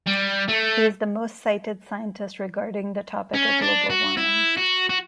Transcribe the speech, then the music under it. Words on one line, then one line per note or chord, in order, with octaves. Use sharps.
He is the most cited scientist regarding the topic of global warming.
G3
A3
C#4
D4
F#4
E4
F#4
F#4